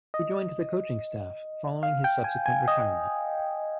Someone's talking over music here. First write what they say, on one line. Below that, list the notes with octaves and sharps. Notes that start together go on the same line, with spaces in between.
He joined the coaching staff following his subsequent retirement.
D#5
F5
G5
G#5
G#5
D#5